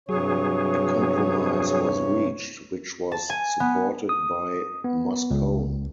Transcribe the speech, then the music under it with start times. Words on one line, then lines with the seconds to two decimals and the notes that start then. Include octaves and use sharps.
A compromise was reached which was supported by Moscone.
0.09 G2 C3 F#3 G#4 C#5
3.12 A5
3.30 G#5
3.60 B3
4.09 D#6
4.84 B3
5.31 C#2